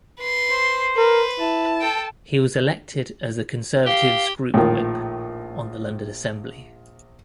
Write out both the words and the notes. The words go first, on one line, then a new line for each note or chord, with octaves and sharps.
He was elected as the Conservative's Group Whip on the London Assembly.
B4 C6
C5
A#4 B4
E4 A5
A4 G5
G4 F5
A#1 A2 D#3 F4